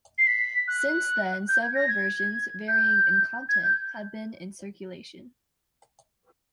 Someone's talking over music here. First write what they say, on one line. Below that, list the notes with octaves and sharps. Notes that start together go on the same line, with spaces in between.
Since then several versions, varying in content, have been in circulation.
C7
B6
F#6
G6
G#6
A#6
G#6
G6
G#6
G6